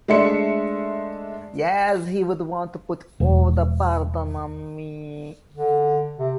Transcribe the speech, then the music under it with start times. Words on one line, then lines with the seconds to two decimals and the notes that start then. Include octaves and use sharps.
Yes, he would want to put all the burden on me.
0.08 G#3 A3 D4 E5 C6 C#7
3.20 E1
5.52 D3
6.19 C3